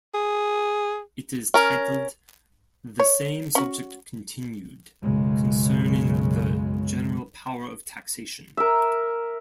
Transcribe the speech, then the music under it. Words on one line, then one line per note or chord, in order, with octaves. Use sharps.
It is titled, The Same Subject Continued: Concerning the General Power of Taxation.
G#4
C#4 A#4
C#5
C#4 F#4
B1 F#2 C#3 G#3
A#4 E5